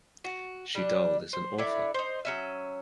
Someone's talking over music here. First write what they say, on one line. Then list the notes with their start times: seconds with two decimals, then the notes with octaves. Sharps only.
Shital is an author.
0.24 F#4
0.75 G3 D4
1.33 C5
1.58 D3 E4 D5 E5
1.94 D#4 C5
2.25 F#3 C#4 E5